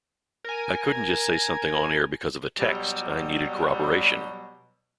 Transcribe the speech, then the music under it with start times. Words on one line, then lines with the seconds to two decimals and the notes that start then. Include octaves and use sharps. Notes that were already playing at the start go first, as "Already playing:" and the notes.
I couldn't just say something on-air because of a text, I needed corroboration.
0.44 A#4 G#5
2.59 B2 F#3 G3